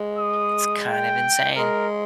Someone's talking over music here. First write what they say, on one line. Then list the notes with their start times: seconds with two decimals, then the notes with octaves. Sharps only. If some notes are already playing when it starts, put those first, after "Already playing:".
It's kind of insane.
Already playing: G#3
0.19 D#6
0.88 G5
1.57 G#3 A#4